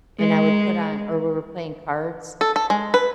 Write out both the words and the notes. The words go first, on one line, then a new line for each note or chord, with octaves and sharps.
and I would put on or we were playing cards,
G#3
A4
A4
G#3
B4